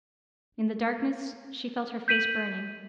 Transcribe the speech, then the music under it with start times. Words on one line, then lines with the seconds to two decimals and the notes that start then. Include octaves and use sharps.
In the darkness she felt her face burning.
2.08 G6 B6 D#7 F#7